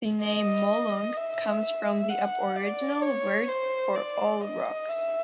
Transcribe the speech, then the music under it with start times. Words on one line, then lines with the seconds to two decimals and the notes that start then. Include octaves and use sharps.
The name Molong comes from the aboriginal word for 'all rocks'.
0.23 D#5
1.17 E5
2.10 F#5
2.56 D5
3.02 C#5
3.48 C5
3.95 D5
4.41 D#5
4.88 E5